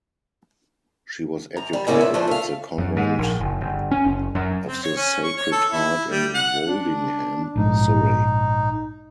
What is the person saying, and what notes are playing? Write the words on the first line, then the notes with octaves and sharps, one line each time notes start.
She was educated at the Convent of the Sacred Heart in Woldingham, Surrey.
F#2 A#5
G3
G#2 C#3 A#3 B3 C#4 E4
A#2 E5
C#3 F3 A3 C#4 D4 C5
A3 F5
F#2
G#2
A#1
F#1
G1
C#4
F#1
F#2
C4
C#5
C#4
C#6
C#5
A4
E4
G3
F#5
D4
A#1 G#2 D#4